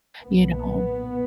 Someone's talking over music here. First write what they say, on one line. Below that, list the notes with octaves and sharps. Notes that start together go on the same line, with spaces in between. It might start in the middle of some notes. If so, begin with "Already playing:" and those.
You know?
B1 A#2 B3